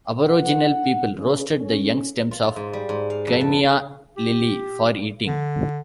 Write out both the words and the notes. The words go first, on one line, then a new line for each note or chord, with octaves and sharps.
Aboriginal people roasted the young stems of gymea lily for eating.
F#5
C#3
C#4
F4
G#2
G3
G#2
F5
F2
A5
G4
D3